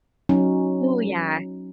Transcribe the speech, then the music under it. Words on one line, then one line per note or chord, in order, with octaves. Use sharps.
Ooh, yeah.
F#3 C#4 D#4